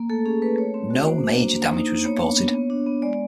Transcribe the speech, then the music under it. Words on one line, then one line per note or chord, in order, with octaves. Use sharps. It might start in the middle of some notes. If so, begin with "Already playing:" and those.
No major damage was reported.
Already playing: A#3
A3 A4
C#4 G#4
A3 B4
A3 C#5
C4
F#4
A#3 C5
D4
A#3
A#3
D#4
A#3
B3 C#5
D4
B3
B3
D4
B3
G#3 D5